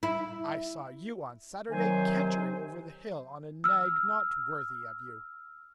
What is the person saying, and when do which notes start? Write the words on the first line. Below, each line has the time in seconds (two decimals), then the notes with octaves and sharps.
I saw you on Saturday cantering over the hill on a nag not worthy of you.
0.03 E4
1.71 C3 D#3 F#3 C5 G#5
3.64 E6 F6